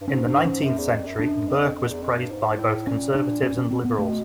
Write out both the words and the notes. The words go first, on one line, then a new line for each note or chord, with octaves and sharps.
In the nineteenth century Burke was praised by both conservatives and liberals.
G2
G#2 C#4
D4
G#2
C#4
F#2
E2
F2
F#2
F#2 D4
F2
F2
E2
F2
G2
G#2
G#2
A2
A#2 C#4
D4
C#4
C#4
C4
B3
B2 A3